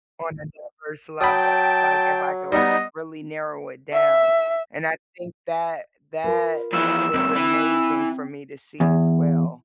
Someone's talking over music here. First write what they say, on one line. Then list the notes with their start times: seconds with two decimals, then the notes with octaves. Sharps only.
on a diverse level, like, if I could, like, really narrow it down," and I think that that was amazing for me to see as well
1.21 F#3 G5 A5 B5 D#6
2.52 G3 B3 D#4 D#5
3.93 E5
6.24 F4 A#4 B4
6.73 F2 E3 E6
7.14 C#2 F#2 C4
7.36 E3
8.80 E2